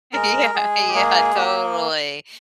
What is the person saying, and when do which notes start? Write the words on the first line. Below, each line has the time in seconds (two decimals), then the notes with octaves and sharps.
Yeah, yeah, totally.
0.13 G#3 A#4
0.54 G#3 G#4
0.89 G4
0.94 A#3 G#4
1.15 G#4
1.35 A#3 G4